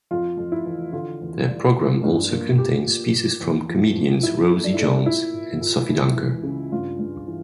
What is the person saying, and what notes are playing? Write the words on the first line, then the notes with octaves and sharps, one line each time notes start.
The programme also contains pieces from comedians Rosie Jones and Sophie Dunker.
F2 F4
F2
E4
E3
D3 F4
E2
G3
F3
G2
A#3
A#3 G4
A#2
A#2
E2
F3
F3
A#2 E4
A3
D4
E4
A3 D4
A#2 E4
A#2
A#2
C#2
E3
C#3
G2 F4
G2
E3